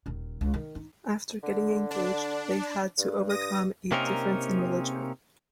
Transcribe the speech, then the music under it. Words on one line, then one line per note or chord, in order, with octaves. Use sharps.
After getting engaged, they had to overcome a difference in religion.
D#1 D#3
C#2
D#3
D#4
D3
D4
G2
D#6 A#6
C3 A#3 C4 C#4 D#4 A#4